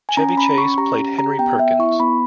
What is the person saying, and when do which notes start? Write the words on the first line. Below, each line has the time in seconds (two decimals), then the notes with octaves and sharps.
Chevy Chase played Henry Perkins.
0.09 G#5
0.17 C#4 A#5
0.29 A#5
0.37 C#4 B5
0.58 C#4 C#6
0.78 G4 A#5
0.99 C#4
1.19 G4 A#5
1.39 B3 G5
1.59 B3 E5
1.79 E4 C#6
2.00 B3 B5